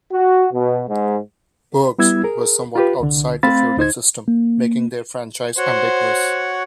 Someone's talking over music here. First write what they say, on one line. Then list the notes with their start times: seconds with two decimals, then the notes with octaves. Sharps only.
Burghs were somewhat outside the feudal system, making their franchise ambiguous.
0.13 F#4
0.53 B2
0.89 G#2
1.98 G3 B3 E4 E6 G#6
2.23 G#4 A#4
2.76 F4 G4 B4
3.00 C2 D3
3.43 A3 C4 C5 F5 B5 A6
3.77 D2 D#4 C5 G#6
4.28 A#3
5.58 F#4 C5 C#5 F#5